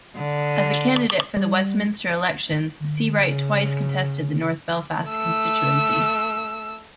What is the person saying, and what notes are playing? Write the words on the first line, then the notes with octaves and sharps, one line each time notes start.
As a candidate for the Westminster elections, Seawright twice contested the North Belfast constituency.
D3
G3
C#3
A3 E6